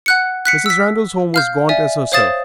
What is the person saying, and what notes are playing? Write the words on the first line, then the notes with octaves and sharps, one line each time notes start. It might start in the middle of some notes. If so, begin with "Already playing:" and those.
Mrs. Randal's home was gaunt as herself.
F#5 F#6 C#7
F#6 B6 C#7
E6 B6
F5 F6 G6
D5 E5 G#5
C5 C#5 F5 D#6 A6 E7